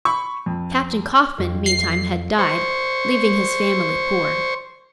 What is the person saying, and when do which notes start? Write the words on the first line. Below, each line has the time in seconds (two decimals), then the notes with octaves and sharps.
Captain Coffin meantime had died, leaving his family poor.
0.05 B5 C#6
0.46 F2
1.38 F2
1.66 C7
2.39 C5 C#6